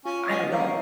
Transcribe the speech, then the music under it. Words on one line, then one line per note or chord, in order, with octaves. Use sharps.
I don't know
C#4 F4
C#4 D#5
A#3 C#5